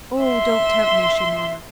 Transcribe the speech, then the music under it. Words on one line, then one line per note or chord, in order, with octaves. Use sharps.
"Oh, don't tempt me!" she murmured.
E5 C6